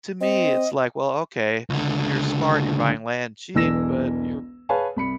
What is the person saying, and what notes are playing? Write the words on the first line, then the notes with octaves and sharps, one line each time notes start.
To me, it's like, "Well, okay. You're smart, you're buying land cheap, but you're
C4 D#5
C#2 D3
E1 B1 E3 E6 A#6 E7
G#4 B4 C#5 F5 G#5 A5
C2 B5 C#7